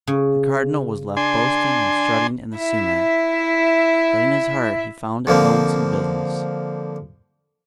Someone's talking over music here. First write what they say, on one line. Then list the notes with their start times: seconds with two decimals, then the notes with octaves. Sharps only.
The Cardinal was left boasting and strutting in the sumac, but in his heart he found it lonesome business.
0.07 C#3
1.17 D4 G#5 C6
2.59 E4 E5
5.27 D3 F3 A#3 C4